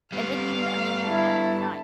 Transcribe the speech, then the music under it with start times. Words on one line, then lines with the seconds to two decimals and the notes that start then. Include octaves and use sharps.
and then you m I mean, you might not
0.12 G3 B3 F5
1.04 D3 E4 A5